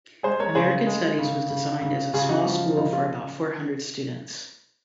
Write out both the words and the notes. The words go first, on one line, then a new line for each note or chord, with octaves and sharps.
American Studies was designed as a small school for about four hundred students.
G#3 G#4 C5
A#4 C#5
C#3 G#4 C5
G#3
C#3
C#3
C#3
C#3 F4 G#4
D#4 F#4
F3
C#3 D#4
F4